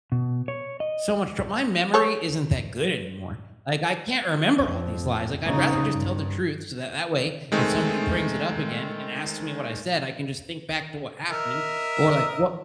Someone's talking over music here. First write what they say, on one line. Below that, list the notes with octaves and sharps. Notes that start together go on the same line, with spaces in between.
so much troub my memory isn't that good anymore. Like, I can't remember all these lies. Like, I'd rather just tell the truth so that that way, if somebody brings it up again and asks me what I said, I can just think back to what happened or, like, what
B2
C#5
D#5
G#4 A4 C#5
F2
C#3 D#4
G2
D#3 G#3 A3 C4
A#4 D#5 E5